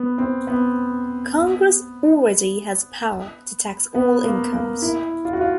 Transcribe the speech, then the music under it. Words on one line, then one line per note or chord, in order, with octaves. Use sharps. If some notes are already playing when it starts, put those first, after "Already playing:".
Congress already had power to tax all incomes.
Already playing: B3
C4
B3
B3
A#3
A#3
E4
F4
F#4
F4